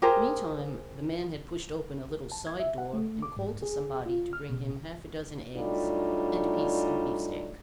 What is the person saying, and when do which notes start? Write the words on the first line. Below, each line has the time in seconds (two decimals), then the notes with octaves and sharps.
Meantime the man had pushed open a little side door and called to somebody to bring him half a dozen eggs and a piece of beefsteak.
0.02 G4 G#4 A#4 C5
2.32 A5
2.47 G#6
2.60 E5
2.78 F#5
2.93 A3
3.22 D6
3.37 G#2
3.63 G#4
4.06 F4
4.33 F6
4.50 B2
5.55 F#3 G3 A3 D4 D#4 F4